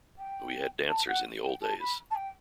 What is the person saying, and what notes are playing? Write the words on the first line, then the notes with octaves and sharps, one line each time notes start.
We had dancers in the old days.
G5
A5
F#5
G5
A5
B5
A5
G5